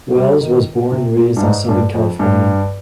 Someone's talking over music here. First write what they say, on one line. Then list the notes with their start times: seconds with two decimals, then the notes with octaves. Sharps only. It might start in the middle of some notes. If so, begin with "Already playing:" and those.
Welles was born and raised in Southern California.
0.16 G3
0.41 D#3
0.92 C3
1.17 A#2
1.37 G2
1.43 G#2
1.69 G2
1.94 F2
2.19 G2